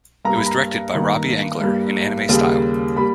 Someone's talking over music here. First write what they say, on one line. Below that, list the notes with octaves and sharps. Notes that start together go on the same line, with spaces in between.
It was directed by Robi Engler in Anime-style.
G2 G3 A#3 A#5
B5
A#5
G2 D#3 A#3
G2 G3 A#3
D#2 C#3 G3 A#3
G3 A#3 B5